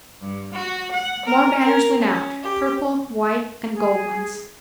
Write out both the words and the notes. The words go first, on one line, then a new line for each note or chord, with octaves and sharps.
More banners ,went out,-purple, white and gold ones.
G2
F#4
F#5
A#4
A#4
C#4
G4
G#4